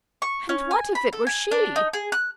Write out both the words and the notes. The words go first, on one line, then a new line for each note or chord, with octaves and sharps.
And what if it were she!
C#6
C#4
G#5
B5
A4
G#5
D4
D#4
G#4
F#6